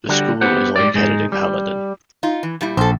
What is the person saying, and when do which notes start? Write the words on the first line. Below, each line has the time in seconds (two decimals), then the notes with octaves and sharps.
The school is located in Haledon.
0.09 D3 G3 F#4
0.41 B3 G4 C5 F#5
0.76 G#2 G3 D5
0.94 G#2 G#3 D#4
1.32 G3
2.23 D#4 F4
2.43 E3
2.61 A#2 G3 E4
2.77 A#1 A4 C5